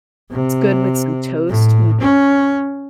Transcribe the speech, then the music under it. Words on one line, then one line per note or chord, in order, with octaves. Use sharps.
It's good with some toast. Mm.
C3
A2
C#4